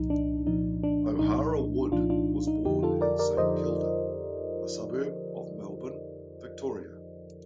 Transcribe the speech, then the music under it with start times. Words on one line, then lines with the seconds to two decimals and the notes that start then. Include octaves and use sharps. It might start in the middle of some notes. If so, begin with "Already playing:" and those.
O'Hara Wood was born in Saint Kilda, a suburb of Melbourne, Victoria.
Already playing: C2 A#2 F3 D#4
0.10 D4
0.47 C2 A#2 F3 D#4
0.83 D4
1.19 C2 A#2 F3 D#4
1.92 C2 A#2 F3 D4 F4
2.10 D4 F4
2.47 D#4
2.65 F2 D3 F3 D#4 G4
2.83 F4 A4
3.01 A#4 D5
3.19 A#4 D5
3.37 F2 D3 F3 C5 D#5